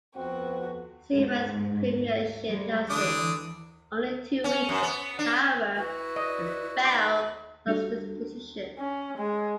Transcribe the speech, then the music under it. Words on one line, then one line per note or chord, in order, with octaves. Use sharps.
Sewell's premiership lasted only two weeks, however, and Bell lost his position.
F2 B3 C4 F#4
G#2
G3 G#3
D3 E3 D4 D#6
C#4
F#2
B3
D4
E4 F#4 B4
D5 D#5
B2 D#4 B5 D6
G3 D4 F#4 A4
C#4
G#3